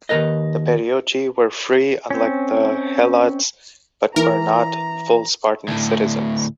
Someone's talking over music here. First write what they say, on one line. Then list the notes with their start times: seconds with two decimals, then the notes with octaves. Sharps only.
The perioeci were free, unlike the helots, but were not full Spartan citizens.
0.09 D#2 D#3 A#4 B4 D#5
2.10 C4 C#4
4.16 E3 A#4 A#5
5.68 D2 A2